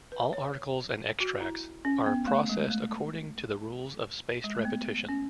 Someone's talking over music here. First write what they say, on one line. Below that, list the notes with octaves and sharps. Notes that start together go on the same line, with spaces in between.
All articles and extracts are processed according to the rules of spaced repetition.
B4
C#5
F#4
E4
C#4
B3
A3
G#3
A3
G#3
A3
B3
C#4